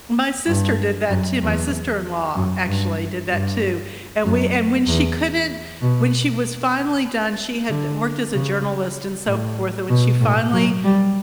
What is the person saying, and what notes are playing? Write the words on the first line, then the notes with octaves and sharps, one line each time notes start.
my sister my did that too, my sister-in-law actually, did that too. And we and when she couldn't when she was finally done, she had worked as a journalist and so forth, and when she finally
G2
F#2
E2
F#2
G2
G2
F#2
E2
B2
D3
C#3
A2
B2
A2
F#3
G3